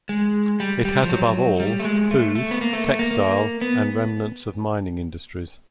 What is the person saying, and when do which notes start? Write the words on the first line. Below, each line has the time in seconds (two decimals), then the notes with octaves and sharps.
It has above all food, textile and remnants of mining industries.
0.09 G#3
0.60 G3
0.85 G3
1.03 F3
1.09 F#3
1.60 G3
1.80 A3
1.85 G#3
2.11 A3
2.35 A3
2.51 B3
2.61 A#3
2.73 A3
2.87 A3
2.99 A#3
3.11 A#3
3.61 B3